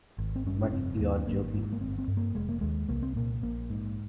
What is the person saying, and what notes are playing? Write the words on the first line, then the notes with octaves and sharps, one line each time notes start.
But you’re joking!
G#1
C4
G2 C#4
C#4
F1 C4
D#2 A#3
G#1 A#3
G#2
A#3
G1 C4
C4
G2
A#3
F1 G#3
A#3
D#2 G#3
C2 A#3
C4
A#2 A#3
A#1 A#3
G#2